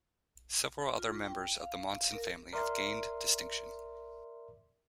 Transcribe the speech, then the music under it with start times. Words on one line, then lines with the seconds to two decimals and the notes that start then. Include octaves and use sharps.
Several other members of the Monson family have gained distinction.
0.97 F4
1.24 G5
1.55 F5
2.12 A#4
2.53 A#4 D5 E5 C6